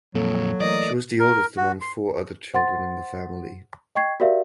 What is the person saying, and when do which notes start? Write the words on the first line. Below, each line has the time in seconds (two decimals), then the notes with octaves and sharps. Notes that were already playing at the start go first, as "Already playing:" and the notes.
She was the oldest among four other children in the family.
0.15 F2 A#2 F#3 A#3 A4
0.60 E3 A3 A#4 D5 D#5
1.19 A#4
1.57 F#4
1.81 C6
2.54 C5 F#5 C6 A6
3.95 D#5 G5 C#6 G#6 C7
4.20 F#4 G4 A#4 D5 E5 F5